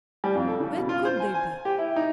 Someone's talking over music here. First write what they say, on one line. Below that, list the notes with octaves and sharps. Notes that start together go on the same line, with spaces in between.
Where could they be?
G3
F2
A4
C#3
B2
F4
C5
G#5
G#5
G4
E4
D#4